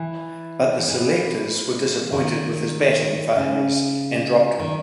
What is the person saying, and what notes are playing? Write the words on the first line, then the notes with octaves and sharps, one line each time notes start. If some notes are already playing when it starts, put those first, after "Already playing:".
But the selectors were disappointed with his batting failures and dropped him.
Already playing: E3
E3
D#3
C#3
D#3